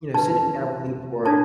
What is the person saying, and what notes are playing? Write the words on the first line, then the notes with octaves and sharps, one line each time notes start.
you know, sitting down with me for
D4 B4 A5
D4 A4 A5